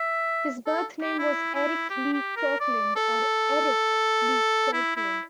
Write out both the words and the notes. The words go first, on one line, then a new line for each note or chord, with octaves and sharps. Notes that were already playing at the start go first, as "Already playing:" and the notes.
His birth name was Eric Lee Kirkland or Erik Lee Kirkland.
Already playing: E5
A4
G4
E4
E4
G4
G4
A#4
D5
A4
E4
E4